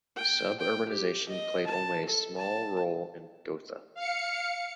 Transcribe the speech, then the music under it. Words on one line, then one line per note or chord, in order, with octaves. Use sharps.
Suburbanization played only a small role in Gotha.
G5
G5
G4
D#5
A5
A4
A5
F5 C#7